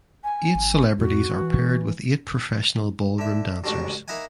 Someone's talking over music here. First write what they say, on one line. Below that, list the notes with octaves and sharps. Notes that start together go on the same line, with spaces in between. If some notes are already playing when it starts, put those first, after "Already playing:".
Eight celebrities are paired with eight professional ballroom dancers.
G#5
G#1
F2 F#4
E3
D3 E5
A1 D2 G#2 C#3 D4 C#6
A#3 D#4 E4 D#5 F#5 G#5